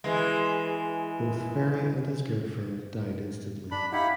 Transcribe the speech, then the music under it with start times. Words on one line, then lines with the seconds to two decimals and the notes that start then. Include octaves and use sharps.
Both Ferry and his girlfriend died instantly.
0.04 E3 G#3
3.71 D4 B5
3.92 D#4 E4 G4 F5 F#5 B5